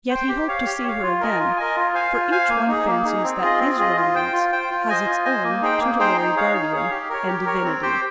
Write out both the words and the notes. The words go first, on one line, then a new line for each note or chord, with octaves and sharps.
Yet he hoped to see her again; for each one fancies that his romance has its own tutelary guardian and divinity.
C5
G5
G4
C#5 F5
G4
C#5 F5
F4
A#4 D#5 G#5
F4
A#4 D#5 G#5
F4
C5 F5 G#5
F4
C5 F5 G#5
A#3
D#4 G#4
A#3
D#4 G#4
C4
F4 G#4 D#5
C4
F4 G#4 D#5
F4
C5 G5
F4
C5 G5
F4
C5 D#5 G#5
F4
C5 D#5 G#5
A#3
D#4 G#4 C5 G5
A#3
D#4 G#4 C5 G5
D#4
G#4 C#5 F5
D#4
G#4 C#5 F5
G4
A#4 C#5
G4
A#4 C#5
C4
G4 C5 G5